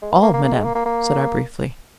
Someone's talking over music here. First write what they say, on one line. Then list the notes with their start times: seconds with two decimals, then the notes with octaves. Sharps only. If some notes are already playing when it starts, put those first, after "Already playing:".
"All, madame," said I, briefly.
0.02 G#3
0.12 B3
0.22 A#3
0.33 A#3
0.43 A#3
0.54 G#3
0.64 A#3
0.75 A#3
0.85 A#3